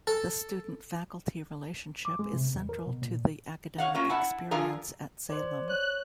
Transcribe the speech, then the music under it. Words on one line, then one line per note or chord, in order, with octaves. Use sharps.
The student-faculty relationship is central to the academic experience at Salem.
A4
D6
G#3
C3
E2
A#4
B2
A#2
C#5 F5 F#5
A#3 C#4 F4 A#4
E4 F#5 A5
D3 F3 D4 F4 G#4 A#4
C5 D5
C#5 F#6